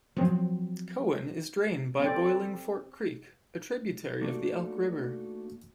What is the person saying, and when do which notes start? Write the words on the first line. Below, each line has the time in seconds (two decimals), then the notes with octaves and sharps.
Cowan is drained by Boiling Fork Creek, a tributary of the Elk River.
0.17 F3 F#3 C4
2.00 C4 A4 D5
4.21 A3 A#3 D4 D#4 F#4